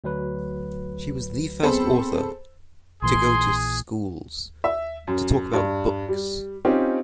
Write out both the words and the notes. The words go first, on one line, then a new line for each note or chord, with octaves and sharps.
She was the first author to go to schools to talk about books.
D2 F#3 B4
B3 C4 G#4 A4 C5 B5
A#1 A#2 E3 G#4 C6
E5
F#2
G2
G3
C4 C#4 D#4 F4 G4